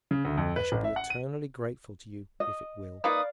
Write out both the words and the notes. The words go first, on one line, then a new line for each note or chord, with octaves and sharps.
I shall be eternally grateful to you if it will.
C#3
D2
F2
B4
A1
E5
F#5
D#7
D#5
A#3 D#4 B4 D5 F5 D#6